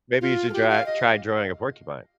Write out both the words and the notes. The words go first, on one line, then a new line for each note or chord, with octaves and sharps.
Maybe you should dry try drawing a porcupine,
F4
A4
G4
F5
D#5